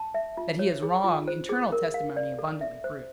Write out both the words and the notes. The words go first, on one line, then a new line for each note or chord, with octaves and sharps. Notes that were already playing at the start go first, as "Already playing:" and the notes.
That he is wrong internal testimony abundantly proves.
Already playing: A5
E5
F4
C#5
G#4
F4
C5
G#4
A#4
F5
D5
A4
E5
C5